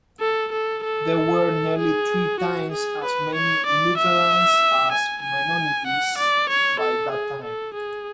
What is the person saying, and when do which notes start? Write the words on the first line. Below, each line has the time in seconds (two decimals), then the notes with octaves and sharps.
There were nearly three times as many Lutherans as Mennonites by that time.
0.20 A4
0.52 A4
0.84 A4
1.78 G#4
2.40 F#4
2.72 G#4
3.03 B4
3.35 C#5
3.66 D5
3.97 E5
4.92 G#5
5.23 G#5
5.86 F#5
6.17 D5
6.49 C#5
6.80 A4
7.12 G#4
7.44 A4
7.74 G#4